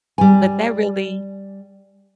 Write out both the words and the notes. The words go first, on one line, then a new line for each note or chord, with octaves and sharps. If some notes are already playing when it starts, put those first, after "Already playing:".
but that really
G3 G#5